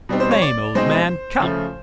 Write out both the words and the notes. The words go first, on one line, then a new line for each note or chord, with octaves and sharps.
"Flame, old man! come!"
B2 G3 C4 D#4
C5
C#5
D5
B2 G#3 C4 D#4 C5
C#3 F3 A3